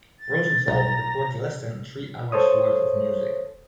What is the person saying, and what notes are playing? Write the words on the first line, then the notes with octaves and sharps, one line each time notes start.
Rosenthal recorded less than three hours' worth of music.
A6
B1 A#5
A4 C5 C#5 D#6